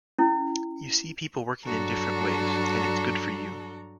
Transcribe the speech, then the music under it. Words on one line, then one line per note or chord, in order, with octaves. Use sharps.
You see people working in different ways, and it's good for you.
C#4 E4
G2 F#3 D4 F#4 A4 A#5